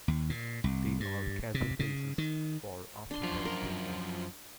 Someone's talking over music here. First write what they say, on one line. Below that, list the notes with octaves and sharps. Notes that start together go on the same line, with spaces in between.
They are casual places for after-work drinking.
D#2
A#2
C2
G2
C3
C#3
D#3
D4 C6
F#2 F3 F4 C6
A#4